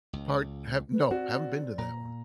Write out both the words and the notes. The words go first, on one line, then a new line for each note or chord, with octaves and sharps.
Part have No, haven’t been to that one.
C#2
B4
C4 F#4 D5
A#2 A#5